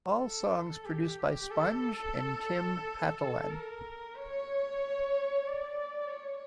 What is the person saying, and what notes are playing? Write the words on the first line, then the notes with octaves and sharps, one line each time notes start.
All songs produced by Sponge and Tim Patalan.
A4
G4
A4
A#4
C#5
D5
C#5